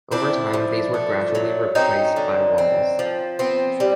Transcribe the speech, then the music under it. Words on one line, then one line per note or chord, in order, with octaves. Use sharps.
Over time, these were gradually replaced by walls.
C4 D4 E4
F3
A3
F#3
C4 C#4 D#4
D3
C4
F3
B3 C4
G3